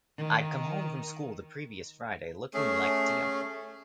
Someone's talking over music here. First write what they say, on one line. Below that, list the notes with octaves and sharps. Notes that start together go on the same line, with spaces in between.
I'd come home from school the previous Friday looking like Dion.
D#3
A3 C#4 G#4